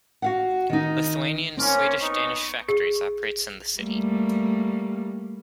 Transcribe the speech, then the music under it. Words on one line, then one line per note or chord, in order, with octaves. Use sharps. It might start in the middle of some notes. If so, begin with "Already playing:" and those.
Lithuanian, Swedish, Danish factories operates in the city.
F#4 F5 F#5
D#3 D#4
A#3 C4 C#4
B3 D#4 C#6
G#4
G3 A3 A#3